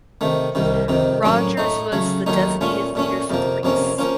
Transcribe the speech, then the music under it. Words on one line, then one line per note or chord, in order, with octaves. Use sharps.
Rogers was the designated leader for the race.
C3 D#3 A3
C2 C3 D#3
F2 C3 D#3
A2 F#3 A#3 C#4
A2 A3 D#4
C#3 F#3 A3
D#2 D#3 F#3 A3 D#4
A#2 A3 C#4 F4
A#2 A3 C#4
F2 C3 F3 A#3
F2 C3 F3 A#3 C#4
F3 A#3 C#4 F4